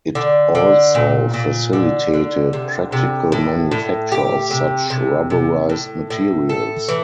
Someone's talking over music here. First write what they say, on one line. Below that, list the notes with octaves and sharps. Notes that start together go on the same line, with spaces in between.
It also facilitated practical manufacture of such rubberized materials.
D3
D3
A#2
A#2
D3
D3
C3
C3
A2
A2
G4
C3
C3
C3
A2
A2
A4
E3